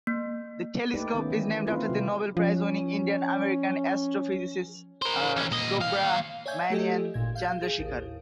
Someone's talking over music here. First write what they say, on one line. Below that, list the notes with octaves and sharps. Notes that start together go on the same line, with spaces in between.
The telescope is named after the Nobel Prize-winning Indian-American astrophysicist Subrahmanyan Chandrasekhar.
A#3
A3 A#3 D#4 G4 B4 D5
D#3 B3 C#4
E3
A3 C4 E4 F4 B4
C3 G4
F3 C#4
A#4 C5
E3 C#4
A#2 D#5
D#2 F5
C#5 D5 E5 G#5 G6 G#6
A3 G4 A4 D#5
G#1 A#2 G#6
F5 G6
G#4 D7
A1 D#2